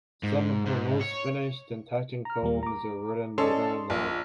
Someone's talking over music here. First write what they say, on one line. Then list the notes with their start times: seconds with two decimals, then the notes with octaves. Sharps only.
Some of her most finished and touching poems were written later in life.
0.23 G#2
0.66 G#2
1.01 C#5
2.25 A#5 F6
2.42 D#2 G3 A#3
2.63 A#5 D6
3.38 C#4 A4 D5 D#5 A5 C6
3.90 A#1